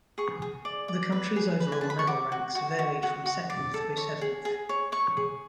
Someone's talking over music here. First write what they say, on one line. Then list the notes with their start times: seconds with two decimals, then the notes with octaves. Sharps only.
The country's overall medal ranks varied from second through seventh.
0.18 G#4 C#6
0.42 G#4
0.65 D5
0.88 D5
1.12 B4
1.36 G#4
1.60 B4
1.72 G#5
1.81 G#4 A5
1.90 B5
1.99 C#6
2.07 F#4 D6
2.32 F#4
2.55 F#4
2.79 F#4
3.03 F#4
3.26 F#4
3.50 D5
3.74 A4
3.97 C#5
4.21 G#4
4.45 G#4
4.69 C#5
4.92 C#5 C#6
5.17 G#4